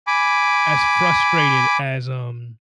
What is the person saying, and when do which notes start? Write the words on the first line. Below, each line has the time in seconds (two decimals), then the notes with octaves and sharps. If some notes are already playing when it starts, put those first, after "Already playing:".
as frustrated as, um
0.07 G#5 B5 D6